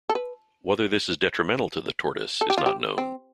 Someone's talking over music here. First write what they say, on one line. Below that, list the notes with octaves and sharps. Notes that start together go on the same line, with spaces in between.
Whether this is detrimental to the tortoise is not known.
A4
B4
A4
G4
F4
G4
C4